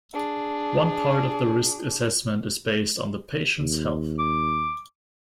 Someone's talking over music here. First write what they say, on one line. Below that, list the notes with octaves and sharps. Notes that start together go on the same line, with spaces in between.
One part of the risk assessment is based on the patients' health.
D4 G#4
D#2
D6